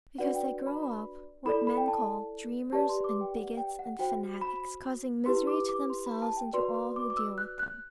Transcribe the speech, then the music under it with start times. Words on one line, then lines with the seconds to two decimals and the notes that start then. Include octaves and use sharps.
Because they grow up what men call dreamers, and bigots, and fanatics, causing misery to themselves and to all who deal with them.
0.18 D4 F#4 B4 D5 F#5
0.35 G5
0.67 B5
0.83 B5
1.45 E4 A4 D5 B5
1.67 B5
1.77 G5
1.88 A5
2.73 G4 B4 D5 A5
2.89 C6
3.04 D6
3.21 G5
3.36 F#5
3.57 G5
3.79 F#5
3.99 F#4 C5 G5
4.41 B5
5.26 E4 G4 B4 C6
5.47 D6
5.69 D6
5.90 C6
6.06 B5
6.22 A5
6.37 G5
6.53 F#4 B4 D5 C6
6.74 C6
6.96 D6
7.10 D6
7.17 E6
7.38 F#6
7.59 F#6